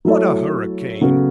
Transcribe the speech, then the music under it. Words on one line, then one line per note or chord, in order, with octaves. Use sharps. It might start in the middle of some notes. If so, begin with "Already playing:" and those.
What a hurricane!
F#3 A3 E4 A4 C#5
C#3 F#3 B3 F#4 A4